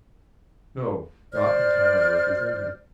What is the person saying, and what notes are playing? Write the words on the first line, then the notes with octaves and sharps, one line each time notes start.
"No; not until my work is ended."
C5 D5 F6